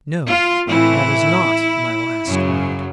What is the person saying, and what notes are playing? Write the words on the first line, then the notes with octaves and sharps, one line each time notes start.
"No, that is not my last word."
F4
A2 E3 A3 C4 E4
F#2 C#3 F#3